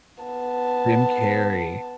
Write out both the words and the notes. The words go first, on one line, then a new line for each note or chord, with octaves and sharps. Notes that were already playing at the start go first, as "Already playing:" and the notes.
Jim Carrey.
B3 A5